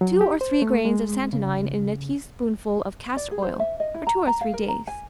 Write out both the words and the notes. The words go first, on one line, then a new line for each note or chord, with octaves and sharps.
Two or three grains of santonine in a teaspoonful of castor oil, for two or three days.
F#3
G4
C5
A3
G#3
C#3
D5
G#4
C5
E5
D#5
E4
A#5
A#5
F5
A#4
A#5
G#5